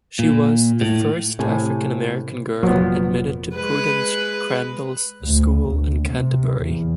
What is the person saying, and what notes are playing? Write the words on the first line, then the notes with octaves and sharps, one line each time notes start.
She was the first African-American girl admitted to Prudence Crandall's school in Canterbury.
A#2
A2
A2 C3 G#5
F1 A#2 F3 F#3 B3
G#3 B4
D2
D2
C3
E2